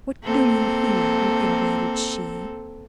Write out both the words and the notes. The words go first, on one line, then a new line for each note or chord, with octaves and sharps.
"What do you hear?" reiterated she.
A#3 C4 A4